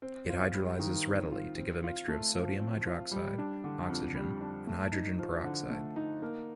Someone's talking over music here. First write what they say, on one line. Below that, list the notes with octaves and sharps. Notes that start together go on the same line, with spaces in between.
It hydrolyses readily to give a mixture of sodium hydroxide, oxygen and hydrogen peroxide.
C4
F4
G3
D#3
C4
F4
C4
F4
A3
F3
C4
F4
G3
D4
D3
F2
G3
D4
A3
D#4
F3
D3
A3
D#4
A#3